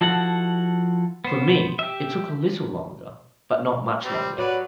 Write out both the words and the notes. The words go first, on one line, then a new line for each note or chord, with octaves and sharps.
For me, it took a little longer, but not much longer.
F3 E4 F#4 A4 F#5
B3 C5
G4 E5
G3 C4
F#3 B4 D5